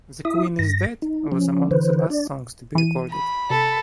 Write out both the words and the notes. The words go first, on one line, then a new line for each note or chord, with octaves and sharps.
"The Queen Is Dead" was among the last songs to be recorded.
E4 E5 D#6
G2 A#6
D#4
F3 C#4
D3 E3 B4 C5
D4 D5
E3 D#7
B5
C3 A4